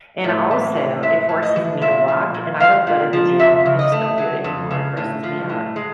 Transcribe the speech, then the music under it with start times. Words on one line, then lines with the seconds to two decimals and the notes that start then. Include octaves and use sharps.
and, also, it forces me to walk, and I don't go to the gym, I just don't do it anymore, it grosses me out,
0.24 A2
0.51 E3
0.77 A2
1.03 G#3 E5
1.29 A2
1.43 D#5
1.56 E3
1.82 A#2 E5
2.08 F3
2.34 A#2
2.60 G#3 F5
2.87 A#2
3.13 F3
3.39 F2 E5
3.66 C#3
3.79 D#5
3.92 A3
4.18 F#3
4.44 F2
4.71 C#3
4.97 A2
5.23 F3
5.49 A2
5.76 G#3